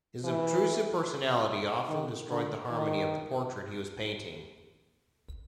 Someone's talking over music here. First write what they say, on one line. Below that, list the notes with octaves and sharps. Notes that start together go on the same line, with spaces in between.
His obtrusive personality often destroyed the harmony of the portrait he was painting.
E3
D#3
D3
D#3